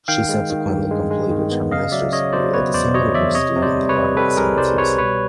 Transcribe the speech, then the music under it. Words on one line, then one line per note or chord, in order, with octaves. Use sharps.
She subsequently completed her Master’s degree at the same university in the library sciences.
D#3 F5 G5
G#3
D#3
G2
G#3
G#3
D#3
B3
C#3 D#5 F5
F#3 D5 E5
C#3 C#5 D#5
F#3 C5 D5
B3 B4 C#5
E2 C5 D5
F#3 C#5 D#5
E2 D5 E5
C3 C#5 D#5
C3
C5 D5
G3
B4 C#5
G3
G3 A4 B4
C2 G#4 A#4
C2 C5 D5
G3 B4 C#5
B2 B4 C#5